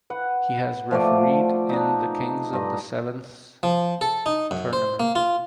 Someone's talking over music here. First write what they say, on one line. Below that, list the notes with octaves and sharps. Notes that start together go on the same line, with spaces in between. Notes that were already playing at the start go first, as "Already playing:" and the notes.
He has refereed in the Kings of the Sevens tournament.
B4 F#5
F3 A3 D5
D4 D#4
G2 D#5
F3
A4
D#4
F#2
C5
A#3
F4